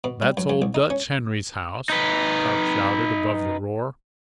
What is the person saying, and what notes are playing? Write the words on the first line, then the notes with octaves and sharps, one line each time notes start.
"That's old Dutch Henry's house," Park shouted above the roar.
B2
G3
F#2
F#2
C2
D#4
C#4
D#4 B4